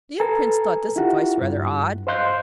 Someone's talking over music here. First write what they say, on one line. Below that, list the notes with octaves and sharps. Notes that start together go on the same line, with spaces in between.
The young prince thought this advice rather odd.
A4 B4 G#5 A#5
E4 F4 G4 F#5
G2
C5 D#5 F5 C6 F#6 G6